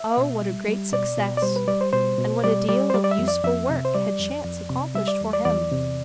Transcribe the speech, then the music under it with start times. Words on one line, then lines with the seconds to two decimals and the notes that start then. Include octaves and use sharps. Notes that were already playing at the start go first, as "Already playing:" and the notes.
Oh, what a great success! and what a deal of useful work had chance accomplished for him!
Already playing: E5
0.17 B2
0.42 G3
0.68 G3
0.92 B2 D5
1.17 B2
1.37 D5
1.42 G3 C5
1.56 B4
1.68 G3 D5
1.81 C5
1.93 B2 C5
2.18 B2
2.44 G3 D5
2.68 G3 D5
2.90 C5
2.94 G3 D5
3.04 D5
3.11 E5
3.19 F2
3.28 D5
3.44 F2 E5
3.70 C3
3.85 C5
3.94 G3 D5
4.20 F2
4.44 F2
4.70 C3
4.95 G3 E5
5.08 D5
5.21 E2
5.33 D5
5.45 E2 D5
5.71 C3